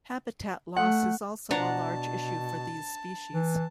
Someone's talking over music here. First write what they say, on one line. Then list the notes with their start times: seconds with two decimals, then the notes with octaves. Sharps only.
Habitat loss is also a large issue for these species.
0.76 A3 F#5
1.51 B2 D4 F#5 A5 A#5
3.33 E3